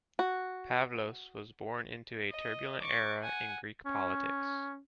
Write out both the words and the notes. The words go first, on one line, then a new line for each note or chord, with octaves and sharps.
Pavlos was born into a turbulent era in Greek politics.
F#4
D#5
C#6 D6
F#5 G#5
C#4